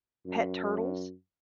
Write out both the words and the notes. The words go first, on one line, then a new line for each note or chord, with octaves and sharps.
pet turtles
F#2